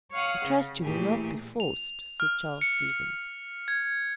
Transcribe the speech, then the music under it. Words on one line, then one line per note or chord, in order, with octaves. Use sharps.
"I trust you will not be forced," said Charles Stevens.
C#5 F5 F#5 D#6
C#3
A#2 E3 A3 G4 G#4
F7
F6
C#7
G#6